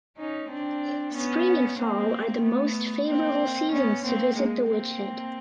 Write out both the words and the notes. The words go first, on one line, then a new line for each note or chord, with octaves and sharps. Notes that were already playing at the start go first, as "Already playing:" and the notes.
Spring and fall are the most favorable seasons to visit The Witch Head.
C#4 D#4
C4 D4
B3 C#4
A#3 C4
A3 B3
A#3 C4
B3 C#4
A#3 C4
G#3 A#3
A#3 C4